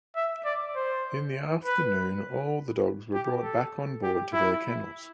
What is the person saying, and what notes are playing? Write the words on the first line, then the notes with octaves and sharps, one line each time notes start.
In the afternoon all the dogs were brought back on board to their kennels.
E5
D5
C5
B4
G4
A4
G4
E4